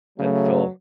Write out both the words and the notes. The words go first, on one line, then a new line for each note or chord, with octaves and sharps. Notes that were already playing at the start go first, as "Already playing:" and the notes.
had to fill
C#3 F#3 A3